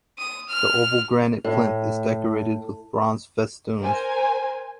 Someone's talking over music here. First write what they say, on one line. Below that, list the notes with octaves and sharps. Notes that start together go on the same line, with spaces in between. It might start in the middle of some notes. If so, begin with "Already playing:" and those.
The oval granite plinth is decorated with bronze festoons.
D#6
F6
A2
A#4 C5 G#5